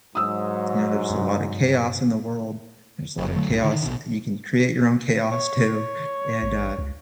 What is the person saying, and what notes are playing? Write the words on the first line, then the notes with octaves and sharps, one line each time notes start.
you know, there's a lot of chaos in the world, there's a lot of chaos. You can create your own chaos too, and, uh,
G#2 F#3 D#6 E6
G2 C3
F#1
D3 F#3 A3
C2 G2
D3 D#3
A#1 B2
C#5
A1
C#2